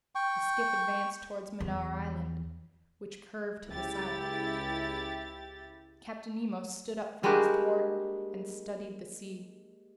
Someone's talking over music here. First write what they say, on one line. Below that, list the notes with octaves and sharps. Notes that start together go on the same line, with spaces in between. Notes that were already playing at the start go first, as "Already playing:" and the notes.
The skiff advanced toward Mannar Island, which curved to the south. Captain Nemo stood up from his thwart and studied the sea.
G5 C#6
E2
C#2 E4 G4 A6
G3 G#3 A#3 D4 F#4 G4